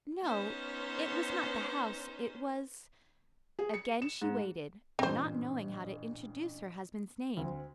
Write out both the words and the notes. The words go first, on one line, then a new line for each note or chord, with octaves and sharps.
"No, it was not the house--it was--" Again she waited, not knowing how to introduce her husband's name.
B3 C#4 D#4 C5
G#4
C#7
E7
G#2
A1 G2 A#2 C4 C5
D2 C4